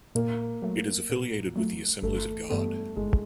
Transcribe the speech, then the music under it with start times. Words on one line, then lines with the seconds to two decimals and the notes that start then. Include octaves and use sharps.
It is affiliated with the Assemblies of God.
0.15 A#2 A#3
0.62 F#3 A3
1.10 A#2
1.56 F#3 A3
2.03 G1 A3
2.50 G2 E3 G3 A3 B3
2.96 G1 G#3